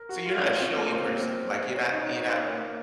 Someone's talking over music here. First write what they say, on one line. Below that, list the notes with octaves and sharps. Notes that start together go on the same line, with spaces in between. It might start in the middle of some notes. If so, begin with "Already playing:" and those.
So, you're not a showy person? Like, you're not you're not
Already playing: A#4
F#4
F4
C#4
C4
A#3
C4
C#4
D#4
C#4
A#3